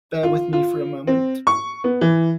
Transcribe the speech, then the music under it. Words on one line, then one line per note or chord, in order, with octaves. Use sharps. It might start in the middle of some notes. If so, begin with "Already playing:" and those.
Bear with me for a moment.
F4
F4
C4
C#6
B3
E3